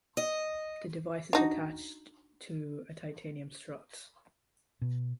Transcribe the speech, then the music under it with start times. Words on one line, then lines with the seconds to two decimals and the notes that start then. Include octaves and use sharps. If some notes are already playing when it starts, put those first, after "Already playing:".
The device is attached to a titanium strut.
0.17 D#5
1.33 D4 D#4 F#4
4.82 B2